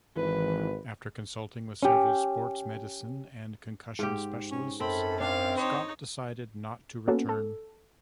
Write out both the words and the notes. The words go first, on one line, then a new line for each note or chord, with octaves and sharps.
After consulting with several sports medicine and concussion specialists Scott decided not to return.
G#1 E3 B4
C#4 G4
G#2 G4
C#4
F#2 C4 A4 B5
C4 D4 F5
D#4 C5 C#5
A#3 B3 C#4 F#4 A4
A4